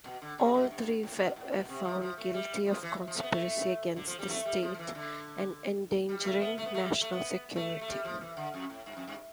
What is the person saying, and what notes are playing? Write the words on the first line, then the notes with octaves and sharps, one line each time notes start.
All three were found guilty of conspiracy against the state and endangering national security.
B2
D3
C3
B2
G2
A2
C3
B2
A2
B2
C3
F3
F3
A3
G3
F3
E3
F3
A3
B3
A3
D3
F3
G3
A3
G3
F3
F3
E3
D3
G3
G3
A3
B3
A3
B3
A3
G3
A3
B3
A3
A3
G3
F3
E3
D3
F2
A2
G2
F2
G2